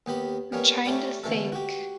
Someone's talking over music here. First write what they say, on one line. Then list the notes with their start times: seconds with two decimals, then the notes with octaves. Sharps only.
I'm trying to think,
0.06 D#2 B3 G4 B5
0.52 G3 A#3 B3 C#4
0.85 A3 C#4 G4 D5 B5
1.23 B2 D3 E3 A3 A4
1.52 F#4 G4